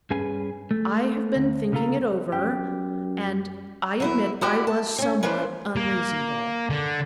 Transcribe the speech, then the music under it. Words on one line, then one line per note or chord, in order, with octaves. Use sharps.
I have been thinking it over, and I admit I was somewhat unreasonable.
G2 C#4 G#4 B4 G#5
A3
D2
D2 C#3 B3 F4 A4 A#5
F#2 G4
F#3 B3 E4
E4 F#4 G4 D5
A5
C4 C#4
A#3 C#4 D4 E4 B4 C5
A#3
D3